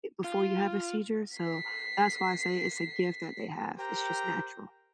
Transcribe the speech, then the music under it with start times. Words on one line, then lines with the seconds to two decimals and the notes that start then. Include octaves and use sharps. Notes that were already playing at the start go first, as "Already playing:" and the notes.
i before you have a seizure, so, that's why I say it's a gift that they have. It's just natural.
0.24 F4
1.37 B6 C7
3.78 G4 A#4 C5 G5 A#5